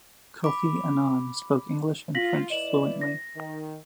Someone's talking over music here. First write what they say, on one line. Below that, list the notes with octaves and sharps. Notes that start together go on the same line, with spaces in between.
Kofi Annan spoke English and French fluently.
B5 D6
F4 A#6 B6 F#7
E4 B4 D5 D#5 E7 F#7
A#6
D#3